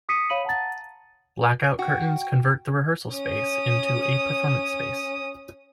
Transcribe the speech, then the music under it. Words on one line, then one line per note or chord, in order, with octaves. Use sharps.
Blackout curtains convert the rehearsal space into a performance space.
D6 D#6 B6 C#7 D#7
C#5 F5 B5 D#7 F#7
F#5 A5 A#5 A6
F#4 G5
C#4 D#6